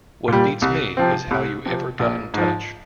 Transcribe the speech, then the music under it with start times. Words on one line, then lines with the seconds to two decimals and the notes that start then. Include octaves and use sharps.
What beats me is how you ever got in touch.
0.28 A#2 G3
0.62 C2
0.97 C3 F3 C4
1.31 C2
1.66 C3 F3 C4
1.99 A#1
2.34 G#2 F3